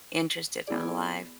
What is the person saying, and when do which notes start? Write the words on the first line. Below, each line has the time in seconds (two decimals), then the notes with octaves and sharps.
interested and alive.
0.67 B3 E4 G#4 D5